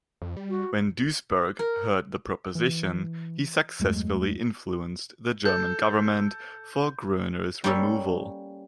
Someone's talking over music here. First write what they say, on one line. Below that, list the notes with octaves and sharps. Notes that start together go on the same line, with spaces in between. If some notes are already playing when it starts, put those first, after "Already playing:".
When Duisberg heard the proposition, he successfully influenced the German government for Groener's removal.
F2
G3
F#4
A#4
E3
E2 G2 F#3 G#3 A3
A4 G6
G3 A#3 C#4 A4